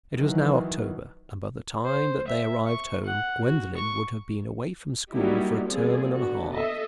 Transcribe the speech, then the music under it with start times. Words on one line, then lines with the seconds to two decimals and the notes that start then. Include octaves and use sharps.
It was now October, and by the time that they arrived home Gwendolen would have been away from school for a term and a half.
0.17 D#3 E3 F#3
1.85 C5
2.28 E5
2.67 C#6
3.05 F#5
3.45 F#4
3.77 C#6
5.11 F#3 G3 A#3 D#4 E4 G4
5.68 F3 G3 A#3 C4 G#4 A4
6.16 D3 B3 F#4
6.53 A4 D#5 E5